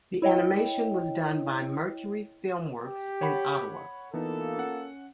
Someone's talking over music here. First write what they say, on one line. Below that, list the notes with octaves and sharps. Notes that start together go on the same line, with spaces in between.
The animation was done by Mercury Filmworks in Ottawa.
E4 C#5 D#5 G5
G4
C#5 F#5 B5
E3 A#3 B3 D#4 F4 A4
C#4 F#5